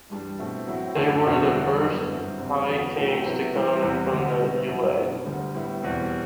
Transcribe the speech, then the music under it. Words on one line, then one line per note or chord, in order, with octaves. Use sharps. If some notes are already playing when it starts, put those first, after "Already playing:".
They were the first High Kings to come from the Ulaid.
G2 E3 G3 D4
B2 A3 C4 E4
A2 F#3 C4 E4
F#2 D3 F#3 A3 D4
E2 B2 F#3 C4 E4
E2 D3 G3 D4
F#2 F#3 B3 D4
G2 F#3 C4 E4
E2 C3 G3 C4
E2 D3 F#3 B3 D4
A2 F#3 A3
C3 F#3 B3 E4
C3 E3 G3 C4 E4
E2 C3 E3 G3
D2 D3 A3
B2 G3 C4 E4
F#2 F#3 B3 E4
B2 F#3 B3 D4
D2 D3 G3
A2 G3 B3 E4
E2 B2 G3 C4